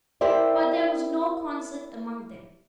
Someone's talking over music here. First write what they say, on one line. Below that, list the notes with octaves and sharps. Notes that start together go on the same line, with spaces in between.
But there was no concert among them.
E4 G4 A#4 C5 D5 E5